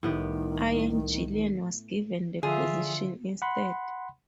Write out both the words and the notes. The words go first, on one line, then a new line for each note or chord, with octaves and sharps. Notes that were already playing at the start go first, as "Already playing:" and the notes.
Ian Gillan was given the position instead.
C2 A2 D#3 B3 G4
D3 E3 F3 F4 G#4 E5
F#5 B5 C6